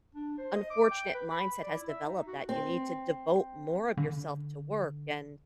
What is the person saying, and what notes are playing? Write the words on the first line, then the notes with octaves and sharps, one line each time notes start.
unfortunate mindset has developed that you need to devote more of yourself to work and,
D4
C5
D#5
D6
G5
B4
B5
D5
E4
E5
D#4
F#4
C4
D3